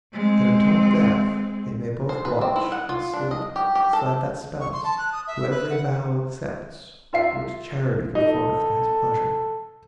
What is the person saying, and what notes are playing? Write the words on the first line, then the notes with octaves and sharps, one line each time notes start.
That until death they may both watch and sleep Beside that Spouse who every vow accepts Which charity conformeth to his pleasure.
G#3 C4
C5
B4
C4
E4
F#5
F4
D4
D#5
G4
G4
A4
C#6
C6
A5
F#6
D#6
E5
B4
F#5
F4 E5 C7
D#4 A4